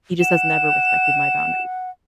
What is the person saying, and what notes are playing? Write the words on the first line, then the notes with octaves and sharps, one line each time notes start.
he just has never respected my boundaries.
F#5 E7